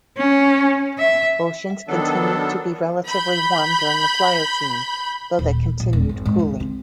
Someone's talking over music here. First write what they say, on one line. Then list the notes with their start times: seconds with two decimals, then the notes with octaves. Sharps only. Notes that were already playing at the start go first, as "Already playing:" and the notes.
Oceans continued to be relatively warm during the Pliocene, though they continued cooling.
0.17 C#4
0.98 E5
1.88 D#3 F#3 B3 D4 A4
3.07 B5 G6
5.39 D#1
5.80 A#1
5.93 E1
6.09 G#1
6.25 G#2
6.39 D#2
6.60 C4